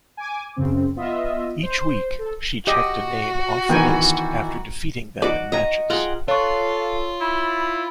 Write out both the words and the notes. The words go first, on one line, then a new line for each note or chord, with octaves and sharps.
Each week, she checked a name off the list after defeating them in matches.
G#5 D6
F#2 C#3 C4
B3 F4 D#5 E5
C5
A4
F#4 G4 D#5
D#3 E3 B3 G5 G#5
D#4 F#4 B4 D5 D6
D#5 A#5 C#6
F4 G#4 F#5 G5 A#5
F4 A4 C#5 F5 C#6
E4 B5